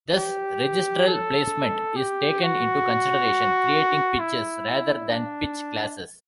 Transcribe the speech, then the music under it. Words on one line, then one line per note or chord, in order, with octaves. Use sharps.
Thus regristral placement is taken into consideration, creating pitches rather than pitch classes.
G4
A4
G4
F#4
E4
D4